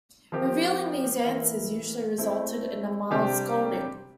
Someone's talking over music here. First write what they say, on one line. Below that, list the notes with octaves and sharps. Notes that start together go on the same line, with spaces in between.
Revealing these answers usually resulted in a mild scolding.
F3 C4 G4 A#4
E3 A#3 E4 A#4
A3 C4 E4
C3 G3 D4 G4 C5